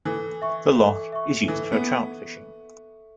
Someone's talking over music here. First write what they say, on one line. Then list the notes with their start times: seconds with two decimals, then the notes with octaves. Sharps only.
The loch is used for trout fishing.
0.05 E3 A4
0.42 E5 C#6
0.76 A4
1.12 E5 C#6
1.48 E3 A4
1.72 B3